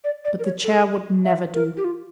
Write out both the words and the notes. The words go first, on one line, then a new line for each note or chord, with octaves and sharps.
But the chair would never do.
D5
D5
A#4
C#5
A4
E5
A#4
G4
F4